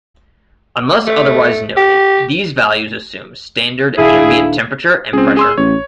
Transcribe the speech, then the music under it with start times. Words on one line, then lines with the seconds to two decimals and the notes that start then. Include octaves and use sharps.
Unless otherwise noted, these values assume standard ambient temperature and pressure.
1.07 A3
1.77 G4
3.97 D#1 D4 E4 G#4 F5
5.13 C#2 C4 G#4
5.37 G#4 C6 E6
5.58 A1 C#5